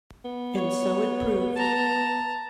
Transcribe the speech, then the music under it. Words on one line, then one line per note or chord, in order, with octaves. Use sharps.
And so it proved.
B3
C#5
A5 A#5